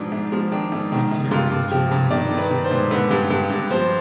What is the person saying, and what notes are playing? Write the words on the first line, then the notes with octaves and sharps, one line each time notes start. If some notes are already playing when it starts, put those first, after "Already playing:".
"Frontier" was generally well received by the media.
Already playing: G#2 B2 F3 D4
G#2
F3
D#3 D4
G#2
D#3
G#2
G2 F4
G2
F3 G4
G2
D#3 D5
D#3
B4
D#3
C5
G#2
D3 B4
G2
G2
G2
F3 C5